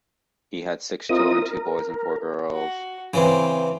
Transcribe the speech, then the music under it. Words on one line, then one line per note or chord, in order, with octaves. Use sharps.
He had six children: two boys and four girls.
C4 E4 F4 A#4 D#5 D#6
A#4
F#4
C#3 E3 C4